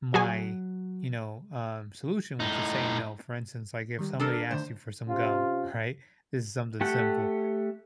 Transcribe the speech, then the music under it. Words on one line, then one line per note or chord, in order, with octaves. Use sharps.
"my," you know, um, "solution," which is saying no. For instance, like, if somebody asked you for some gum, right? This is something simple,
F#3 F#4 G#4 G#5
A2 D#4
D#3 G3
D4 A4 A#4
A2 D3 D#3 C5
C3 C#4 F4
A3 G4 A4 F#5